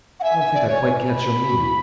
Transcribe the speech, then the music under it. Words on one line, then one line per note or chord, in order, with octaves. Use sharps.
I don't think I quite catch your meaning.
F#5
E5 G#5
E5
D5
C#5
B5
F#4
E4